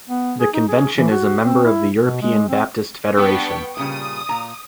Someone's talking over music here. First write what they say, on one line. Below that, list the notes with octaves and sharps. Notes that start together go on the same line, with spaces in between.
The convention is a member of the European Baptist Federation.
B3
G#4
D#4
G#4
E3
F#4
C4
E4
B2
G#3
C4
G3 B3 D4 G5 C#6
A#2 C#3 G3 D#6
A#2 A#5